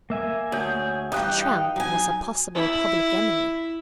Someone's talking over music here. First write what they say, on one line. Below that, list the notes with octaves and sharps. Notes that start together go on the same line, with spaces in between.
A tramp was a possible public enemy.
A#3 E5 G#5
D2 G#4 C#5 G6
G2 E3 D#4 G5 D#6 F#6
F#3 G#5
E4